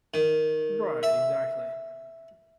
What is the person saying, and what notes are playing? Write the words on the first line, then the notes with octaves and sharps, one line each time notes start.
Right. Exactly.
D#3
E5